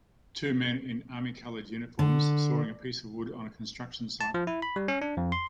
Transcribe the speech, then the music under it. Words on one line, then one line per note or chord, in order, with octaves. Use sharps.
Two men in armycolored uniforms sawing a piece of wood on a construction site.
D3
A5
F3
E4
B5
G3
C#4
D4
F2
C6